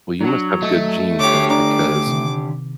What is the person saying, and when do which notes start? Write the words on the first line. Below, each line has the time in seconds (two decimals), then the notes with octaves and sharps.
Well, you must have good genes then because
0.21 F#3 D4 F#4
0.63 A3 D#5
1.20 D3 G4 C#5 D6
1.50 D4 D5 A#5 D6
2.07 C3 D#3